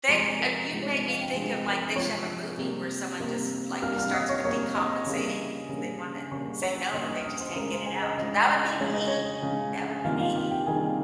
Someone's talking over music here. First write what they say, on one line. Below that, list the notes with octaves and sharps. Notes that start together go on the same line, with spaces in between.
thick of You'd make me think of, like, they should have a movie where someone just, like, starts ca decompensating because they wanna say no and they just can't get it out, 'cause that would be me! That would be me.
C3 F3 G#3 C6
A#5
G#5
A#4 A#5
C3 F3 G#3
C#5
D#5
F5
G5
C3 F3 G#3 G#4 G#5
A#4 A#5
D#6
C3 F3 G#3 C#5 C#6
C3 G3 A#3
C3 G3 A#3
C3 G3 A#3 F5 F6
F5 F6
D#5 D#6
C#5 C#6
C3 G3 A#3 C#5 C#6
D#5 D#6
C#3 G3 A#3
C#3 G3 A#3
C#3 G3 A#3 C#5 C#6
C#5 C#6
C#3 G3 A#3 D#5 D#6
D#5 D#6
F6
D#5 D#6
C5 C6
C#3 G#3 A#4 A#5
C5 C6
G#4 G#5
D#5
C#3 G#3 D#5
C#3 G#3 C#5
D#5
C#5
C#3 G#3
C3 D#3 G3 A#3 F4 F5
F4 F5
G4 G5
G4 G5
C3 D#3 G3 A#3 G#4 G#5